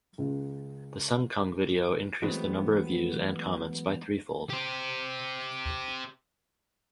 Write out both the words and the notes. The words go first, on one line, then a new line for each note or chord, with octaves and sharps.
The Sengkang video increased the number of views and comments by threefold.
C#2
E3 F#3 G#3 A3 B3 C4
G4 C5